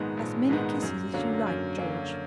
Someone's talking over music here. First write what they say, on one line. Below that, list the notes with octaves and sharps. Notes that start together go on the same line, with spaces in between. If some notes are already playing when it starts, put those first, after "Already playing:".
"As many kisses as you like, George."
Already playing: A#1 G#2 D#3 G#3 B3
A#1
G#2 D#3 G#3 B3
F#2
D3 F#3 A#3 C#4
F#2
D3 F#3 A#3 C#4